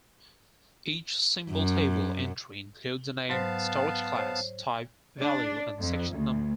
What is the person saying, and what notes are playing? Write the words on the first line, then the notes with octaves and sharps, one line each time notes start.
Each symbol table entry includes a name, storage class, type, value and section number.
F#2
G#2 F#3 B3 C5 F5 A5
C5 C#5
D4
F2
D2